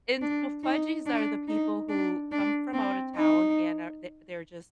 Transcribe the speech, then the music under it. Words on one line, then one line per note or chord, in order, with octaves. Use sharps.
And so, "fudgies" are the people who come from out of town and are the they're just
D4
D#4
D4
D#4
D4
D4
C4
D#4